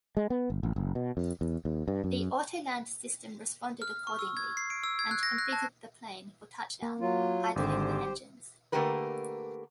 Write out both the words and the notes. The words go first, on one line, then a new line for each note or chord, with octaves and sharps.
The autoland system responded accordingly and configured the plane for touchdown, idling the engines.
G#3
B3
G1
A1
F#1
B2
F2
E2
D#2
G2
F#2
F6
C#6
E6
G#6
C7
D7
E6
G#6
F#6
A#6
F#6
A5
A#3
F#3 F4
G#1 D3 G4 C5
D3 A3 A#3 G4 A#4 B4